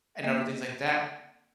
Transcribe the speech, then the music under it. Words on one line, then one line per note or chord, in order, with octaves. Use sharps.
and other things like that?
A#3 C4 D#5 E5